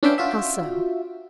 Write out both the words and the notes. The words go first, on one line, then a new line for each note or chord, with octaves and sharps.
"How so?"
C#4 D4 B4 E5 F5 G5
F4 F#4 E5